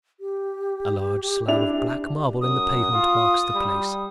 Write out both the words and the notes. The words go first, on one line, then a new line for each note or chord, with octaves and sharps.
A large slab of black marble in the pavement marks the place.
G4
D4 E4 F7
F#2 D#6
F4
G3